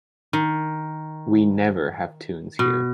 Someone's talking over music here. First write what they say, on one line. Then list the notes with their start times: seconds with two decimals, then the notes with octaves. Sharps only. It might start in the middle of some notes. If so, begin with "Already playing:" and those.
We never have tunes here.
0.33 D#3
2.59 B2